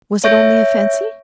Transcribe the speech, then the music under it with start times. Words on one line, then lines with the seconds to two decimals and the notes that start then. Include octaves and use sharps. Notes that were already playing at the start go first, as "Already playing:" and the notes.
Was it only a fancy?
0.24 C#5 E5 C#6 G6 A#6 D7